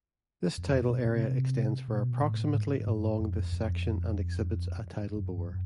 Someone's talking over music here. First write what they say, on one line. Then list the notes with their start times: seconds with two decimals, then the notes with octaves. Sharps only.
This tidal area extends for approximately along this section and exhibits a tidal bore.
0.58 F2
0.75 B2
0.91 B2
1.07 C3
1.88 B2
2.21 A2
2.54 G#2
2.87 G2
3.19 F2
3.52 F2
5.16 F#2
5.38 F#2